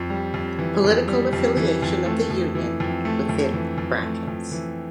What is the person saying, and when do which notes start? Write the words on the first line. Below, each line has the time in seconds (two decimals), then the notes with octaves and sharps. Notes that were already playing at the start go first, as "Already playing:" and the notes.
Political affiliation of the union within brackets.
Already playing: F2
0.10 G3
0.34 F2
0.59 E3
0.84 F2
1.08 G3
1.33 F2
1.57 E3
1.82 F2
2.06 A3
2.30 F2
2.55 E3
2.80 F2
3.05 A3
3.29 F2
3.54 E3
3.78 F2
4.03 A3
4.27 F2
4.52 E3